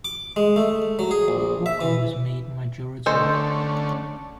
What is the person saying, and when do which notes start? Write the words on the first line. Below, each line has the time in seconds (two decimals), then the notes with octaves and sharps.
Walker was made Majority Whip.
0.05 D6
0.36 G#3
0.56 A3
0.99 F#3
1.11 G#4
1.28 A#1
1.66 E5
1.81 E3
3.06 D3 A3 C#4 A4 C5 D#5